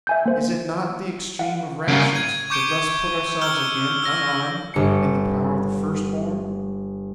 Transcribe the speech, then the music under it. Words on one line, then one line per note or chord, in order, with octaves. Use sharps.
"Is it not the extreme of rashness to thus put ourselves again, unarmed, in the power of the First Born?"
E5 G#5 G6
A#3 C5
F5 F#5
C#3 A#3
G#6 D#7
C#6 D6 G6 C#7 D7 G7
E6 F6 G6 G7
E6 F6 A#6
G1 C#7